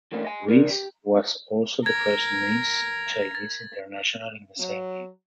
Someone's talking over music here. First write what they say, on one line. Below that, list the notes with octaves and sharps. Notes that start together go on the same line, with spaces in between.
Reis was also the first Miss Chinese International in the same year.
E3 A3 A#3 C#4 D4
D#5 G#5
B1 A#4 D5
G4
A#4 G#6
A6
F#3